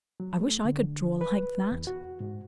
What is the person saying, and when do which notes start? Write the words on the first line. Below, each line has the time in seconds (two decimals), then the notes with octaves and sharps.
I wish I could draw like that.
0.20 F#3
0.40 A3
0.65 D3
1.21 B4
1.71 E2
1.87 F#4
2.20 G#2